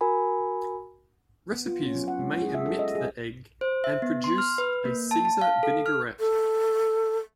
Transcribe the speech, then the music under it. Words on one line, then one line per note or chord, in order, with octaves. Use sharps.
Recipes may omit the egg and produce a "Caesar vinaigrette".
F#4 A#4 G#5 B5
B3
F4
C#4
F#3
F#5
G#3
G#4
E5
A4
D#5
G#4
C5
E5
B3
C6
F6
B4
A#3
A5
A5
F5
A4
F6
A4